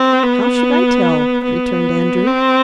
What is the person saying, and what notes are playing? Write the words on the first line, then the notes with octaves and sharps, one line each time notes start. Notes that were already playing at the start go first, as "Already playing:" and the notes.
"How should I tell?" returned Andrew.
Already playing: C4
B3
B3
C4